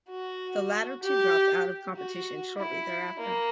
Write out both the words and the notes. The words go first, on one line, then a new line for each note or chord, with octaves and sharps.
The latter two dropped out of competition shortly thereafter.
F#4
G4
F#4
E4
A#3